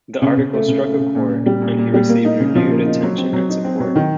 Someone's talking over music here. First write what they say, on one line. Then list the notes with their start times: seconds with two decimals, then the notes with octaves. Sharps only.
The article struck a chord, and he received renewed attention and support.
0.22 C#3
0.37 C#3
0.54 A3
0.68 C#3
0.84 A3
1.00 C#3
1.15 A#2
1.30 A#2
1.46 G3
1.62 A#2
1.78 A#2
1.94 G3
2.09 A#3
2.25 D#4
2.40 C#3
2.56 F3
2.71 A#3
2.86 D#4
3.03 F#3
3.18 C4
3.33 F#3
3.49 D#4
3.64 C4
3.80 F#3
3.96 D#3